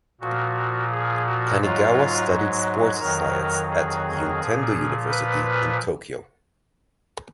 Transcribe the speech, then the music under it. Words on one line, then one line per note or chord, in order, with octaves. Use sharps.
Tanigawa studied sports science at Juntendo University in Tokyo.
A#2 F3 F#4
G#4
F#4
G#2 F#3 F4
F2 D#3 F#3 A#4
G#4
A#2 F3
B4
B4